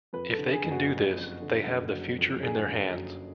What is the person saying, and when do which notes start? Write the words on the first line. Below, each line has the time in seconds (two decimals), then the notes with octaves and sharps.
If they can do this, they have the future in their hands.
0.13 F2 B4
0.32 A4
0.38 D3
0.51 G#4
0.64 F#1
0.71 F#4
0.90 F#3
1.16 F2
1.41 D3
1.67 F#1
1.93 F#3
2.18 F2
2.43 D3 G#4
2.69 F#1
2.95 F#3